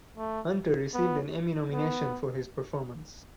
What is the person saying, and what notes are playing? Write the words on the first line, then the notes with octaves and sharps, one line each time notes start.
Hunter received an Emmy nomination for his performance.
A3
B3
B3